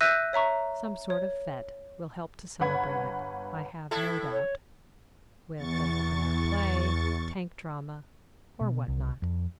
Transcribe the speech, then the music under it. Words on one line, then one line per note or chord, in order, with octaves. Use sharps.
Some sort of fete will help to celebrate it, I have no doubt; with an open-air play, tank drama, or what not.
E5 E6 F#6 G6 A#6 D#7
C#5 E5 A#5 C#6
C#5
G1 B4 F#5 B5 G#6
A2 E4 A4
C#5
E2 C#6 A6
B2
C2
F2